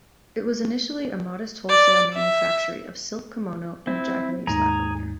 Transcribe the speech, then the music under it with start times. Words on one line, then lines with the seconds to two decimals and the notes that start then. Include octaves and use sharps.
It was initially a modest wholesale manufactory of silk "kimono" and Japanese lacquerware.
1.70 D5
2.14 E5
3.87 C4 E4
4.47 D#2 G#2 G#4 A#5